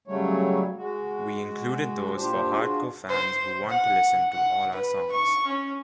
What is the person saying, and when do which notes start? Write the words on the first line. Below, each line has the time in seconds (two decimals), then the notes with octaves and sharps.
We included those for hardcore fans who want to listen to all our songs.
0.08 C#3 F#3 G3 A3 C#5
0.77 G#3 F#4
2.16 A#2 D4 G4 C5
2.57 D4 F4 F#4 G#4
3.09 C5
3.69 F#5
4.31 F#5
4.72 B4
5.12 C#6
5.46 C#4